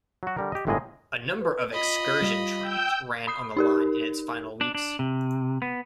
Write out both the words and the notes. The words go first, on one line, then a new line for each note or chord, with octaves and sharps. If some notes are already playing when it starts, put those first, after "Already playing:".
A number of excursion trains ran on the line in its final weeks.
F#3 F#4
D3 G3 A#4
G4 D#5
G1 A2 G#3 A#3 G#4 D#5
B4
F4 D#5 B5
G3
G5 E6 G6
B5 D#6 C7
D#4 G4 A#4
D4
D4
C3
B3